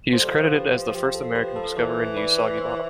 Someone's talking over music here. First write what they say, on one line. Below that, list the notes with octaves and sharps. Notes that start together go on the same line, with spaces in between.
He is credited as the first American to discover and use soggy bottom.
F3 A4 C5
G3
F3
G4 B4
F3 G4
A4
G4 B4
A4
E3 A4 C5
B4 D5
C5 E5